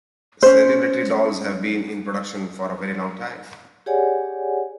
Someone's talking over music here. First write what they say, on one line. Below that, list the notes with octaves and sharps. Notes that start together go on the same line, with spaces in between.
Celebrity dolls have been in production for a very long time.
C#4 C5
G4 G#4 C#5 D5 F#5 G#5